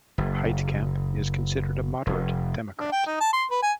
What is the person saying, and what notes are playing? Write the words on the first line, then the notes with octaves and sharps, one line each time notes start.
Heitkamp is considered a moderate Democrat.
F#1
F1
D4
G5
D#4
A5
C6
B4
G#5